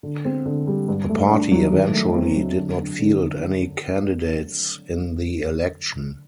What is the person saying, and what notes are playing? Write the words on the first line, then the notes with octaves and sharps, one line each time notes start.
The party eventually did not field any candidates in the election.
D3
C4
D3
G3
G2
A3
D4
F#3
D#3
A3
C4
F#3
D3
D4
D3